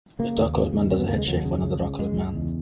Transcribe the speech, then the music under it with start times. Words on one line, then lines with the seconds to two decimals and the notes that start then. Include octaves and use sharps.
A dark colored man does a head shave for another dark colored man.
0.19 C#3 A#3
0.37 D#2
0.55 C#3
0.73 D#2
0.90 C#3 C#4
0.99 B3
1.08 D#2 A#3
1.18 G#3
1.27 D#2 F#3
1.45 C#3
1.63 C#2
1.81 C#3
1.99 C#2 G#3
2.17 C#2
2.35 E2